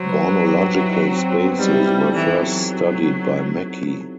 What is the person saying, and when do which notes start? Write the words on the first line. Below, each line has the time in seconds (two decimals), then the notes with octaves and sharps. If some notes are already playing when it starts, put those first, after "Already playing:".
Bornological spaces were first studied by Mackey.
Already playing: F#3 C5
0.09 B4
0.28 B4
0.47 G4
0.61 F#4
0.75 E4
0.89 D#4
1.03 C4
1.17 C4
1.31 C4
1.45 B3
1.59 G3 D#4
1.73 E4
1.87 G4
2.01 A4
2.15 E3
2.43 F#3